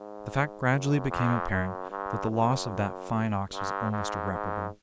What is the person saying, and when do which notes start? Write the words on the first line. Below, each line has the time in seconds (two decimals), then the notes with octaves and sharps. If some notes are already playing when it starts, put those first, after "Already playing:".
The fact gradually became apparent that the loss of that fine ox was almost irreparable.
Already playing: G#2
0.70 F#2
1.10 F2
1.51 F#2
1.91 G2
2.31 F#2
3.51 G2
3.91 G#2
4.32 G#2